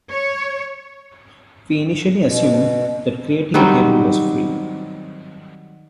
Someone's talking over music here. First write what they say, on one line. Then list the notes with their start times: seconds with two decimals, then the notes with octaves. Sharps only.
We initially assumed that creating a table was free.
0.11 C#5
2.27 B2
3.54 D#3 F#3 G3 C4